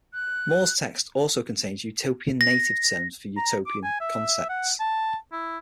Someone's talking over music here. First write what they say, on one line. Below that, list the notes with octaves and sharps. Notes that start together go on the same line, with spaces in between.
More's text also contains Utopian "native" terms for Utopian concepts.
F#6
A#6
A#5
D6
G#5
E5
F#5
A5
E4